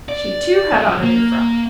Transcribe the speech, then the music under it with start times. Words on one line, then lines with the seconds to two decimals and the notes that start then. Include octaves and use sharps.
She, too, had on a new frock.
0.08 D5
0.73 C#3 F3
1.03 A#3